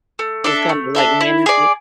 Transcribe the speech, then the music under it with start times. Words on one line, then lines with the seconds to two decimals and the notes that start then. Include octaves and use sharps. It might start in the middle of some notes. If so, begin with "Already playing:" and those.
just kinda, like, manage it.
0.19 A3
0.44 D4 A4 E5
0.69 A3
0.95 D4 A4 E5
1.21 E4
1.46 G#4 D5